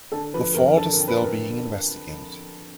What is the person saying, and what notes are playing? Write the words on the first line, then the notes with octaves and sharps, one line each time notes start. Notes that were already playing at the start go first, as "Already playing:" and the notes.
The fault is still being investigated.
D3 A4
F3 B4
F2 A#4
A#4
D3 A4
A#4
F2
B4
D3
A#4